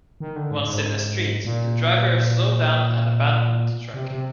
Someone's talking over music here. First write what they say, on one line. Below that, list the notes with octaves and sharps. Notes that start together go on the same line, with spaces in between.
Once in the street, the driver slowed down and abandoned the truck.
D#3
D3
G#2
G#2
A#2
C3
C3